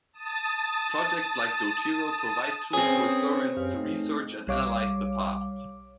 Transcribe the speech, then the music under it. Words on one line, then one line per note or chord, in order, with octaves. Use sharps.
Projects like Zotero provide tools for historians to research and analyze the past.
A5 D#6 A6
C4 C#4 G#4 B4 C#5
F#2 G4 F5
A3 D#4
B1 G3 C#5 F5 D6